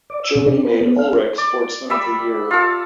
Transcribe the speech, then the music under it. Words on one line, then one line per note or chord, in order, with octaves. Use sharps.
Germany made Ullrich sportsman of the year.
D5
E6
C3
D4
B4
B3
F5
D5
G3 E5 B5 E6
F4 A4